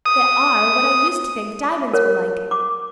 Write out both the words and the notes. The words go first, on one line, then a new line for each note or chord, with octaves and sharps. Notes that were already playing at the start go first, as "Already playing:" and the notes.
They are what I used to think diamonds were like.
D#6
A#4 C#5
D6